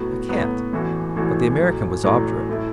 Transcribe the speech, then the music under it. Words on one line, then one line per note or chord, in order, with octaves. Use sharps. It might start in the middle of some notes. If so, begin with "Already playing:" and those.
I can't!' But the American was obdurate.
Already playing: A2 F#3 B3 F#4
A2 F#3 B3 F#4
A1 A2 E3 A3 F#4
A1 A2 E3 A3 F#4
A1 A2 F#3
A1 A2 F#3
A2 A3 E4